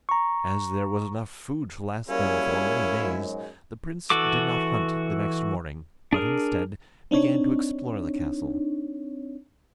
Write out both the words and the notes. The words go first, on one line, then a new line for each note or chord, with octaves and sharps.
As there was enough food to last them for many days, the prince did not hunt the next morning, but, instead, began to explore the castle.
A#5 C#6
F#2 G3 A#3 C#4 E4 G#4 A#4 F5
G#2 F#3 G#3
E3 F#4 A4 D6
D4 G#4 A#4
C4 D4 D#4 C#5